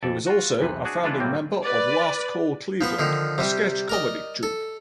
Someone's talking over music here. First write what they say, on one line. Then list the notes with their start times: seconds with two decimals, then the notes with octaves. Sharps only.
He was also a founding member of Last Call Cleveland, a sketch comedy troupe.
0.03 F2 A4 D5
0.27 F4 F#4
0.59 B1 E2 C3 B4
0.85 D4 F#4 G#4
1.03 E3 G#3 D4 F4 A4 B4
1.20 A2 F#3 G3 A#3 C4
1.62 B4 D5
2.81 F3 B3 B4
2.99 D3 D#3 F3
3.38 C3 G3
3.89 A#4 D5 D#5
4.43 A4